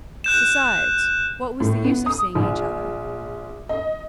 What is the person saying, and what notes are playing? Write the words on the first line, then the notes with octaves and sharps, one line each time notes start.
Besides, what was the use of seeing each other?
F#6 G6 E7
A2
B3
D#6
A#1
D#5